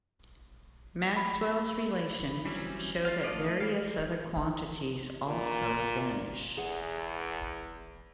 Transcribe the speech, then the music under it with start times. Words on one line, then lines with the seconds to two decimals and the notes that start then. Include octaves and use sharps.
Maxwell's relations show that various other quantities also vanish.
1.17 B5
2.46 E3 F#3 G3 C4 C#4
3.05 F4 F5
3.23 A3 D5 D#5 F5
3.60 E3 G3 F5
5.27 A#2
6.57 E2 G#4 F#5